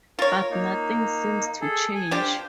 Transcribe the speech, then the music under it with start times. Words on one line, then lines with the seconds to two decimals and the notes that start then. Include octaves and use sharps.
But nothing seems to change.
0.19 F4 A#4 C#5
0.51 A#3 D#4
1.61 G#4 A4
1.95 G#5
2.11 F3 D4 G4 C5